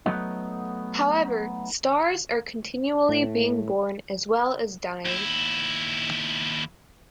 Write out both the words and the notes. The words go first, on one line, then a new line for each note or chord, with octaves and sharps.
However, stars are continually being born as well as dying.
F#3 A3 B3 D#4
A2
D#2 E4